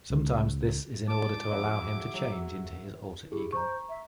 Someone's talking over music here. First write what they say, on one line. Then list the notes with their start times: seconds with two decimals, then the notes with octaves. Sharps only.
Sometimes this is in order to allow him to change into his alter ego.
0.10 C#2
1.08 A#2 G#3 A5 D6
1.51 F2 F#4 G#4 C#5 E5
2.14 F#3
3.32 E4 G4 G#4
3.53 C5 A#5 C#6
3.89 E5